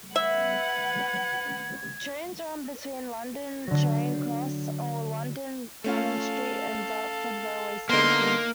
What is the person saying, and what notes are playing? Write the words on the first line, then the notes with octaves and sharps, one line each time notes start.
Trains run between London Charing Cross, or London Cannon Street and Dartford railway station.
B4 E5 F#5 G#6
D3 F#3
A3 C#4 F4 A4 F5
D3 A#3 B3 D#4 A#4 C6